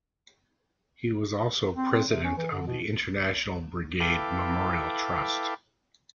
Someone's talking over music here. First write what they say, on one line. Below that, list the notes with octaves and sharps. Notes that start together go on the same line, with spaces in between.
He was also President of the International Brigade Memorial Trust.
C4
C4
C3
C#4
E3
D3
B2
E4 A4 B4 F5 G5 D6